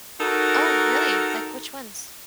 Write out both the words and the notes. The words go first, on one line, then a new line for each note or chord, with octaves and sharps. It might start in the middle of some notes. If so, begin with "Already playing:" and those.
Oh, really? Like, which ones?
D#4 F#4 A4 A#4